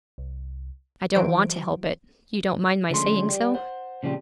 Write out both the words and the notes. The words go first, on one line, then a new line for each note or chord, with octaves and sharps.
I don't want to help it; you don't mind my saying so?'
C2
E3 F#3 C5 D7
D3 F3 G#3 A3 C#4 C6
G3
C5 F#5
A#2 C#3 F3 G3 C4